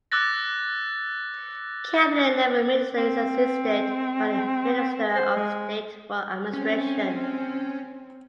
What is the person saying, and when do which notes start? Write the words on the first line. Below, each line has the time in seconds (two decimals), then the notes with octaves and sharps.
Cabinet level minister is assisted by the minister of state for administration.
0.12 D6 E6 F#6 A6 A#6
2.98 C4
5.16 C5
5.36 G#3
6.53 C4 C#4